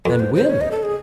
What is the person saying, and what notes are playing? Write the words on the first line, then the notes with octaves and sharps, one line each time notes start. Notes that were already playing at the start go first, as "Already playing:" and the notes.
"And will?"
F2 B4
C5
C5
C#5
D#5
A4
G#4